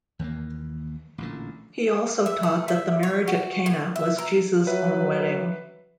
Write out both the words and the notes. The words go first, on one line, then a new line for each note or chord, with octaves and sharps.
He also taught that the marriage at Cana was Jesus' own wedding.
D#2 E3 G#3 A#3
A1 A#2 D3
E5
A3
E5
C#5
F#4
A2
E5
A#4
F#3 B4 E5